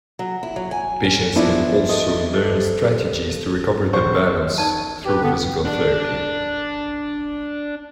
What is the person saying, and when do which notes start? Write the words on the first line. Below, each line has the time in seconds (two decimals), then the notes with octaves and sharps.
Patients can also learn strategies to recover their balance through physical therapy.
0.19 F#3
0.43 E4
0.56 F#3
0.71 G#5
1.04 C#4
1.36 F3 B3 D4 E4
1.89 A4 D#5
2.33 G4 A4 C5
3.93 A#1 C5 C#6
4.58 D#4 D5 A5
5.06 G4 B4
5.22 D3 B3
5.65 D4 D5